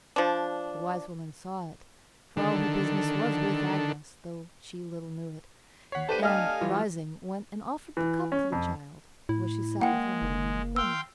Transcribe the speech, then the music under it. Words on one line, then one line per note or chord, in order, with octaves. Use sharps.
The wise woman saw it, for all her business was with Agnes though she little knew it, and, rising, went and offered the cup to the child, where she sat with her knitting in a corner.
F3 D4
D3 D#3 D4 A4
D#2 C#5 F#5 B6 C7
A3 D4 G4 B4 C5 A5 D#7
D#5 F5 G#5 F6
E3 G3 F4
E3
C#4
F2
A2 E4
G#3 A#3 F#5 G5
F#1
F5 G5 C6 E6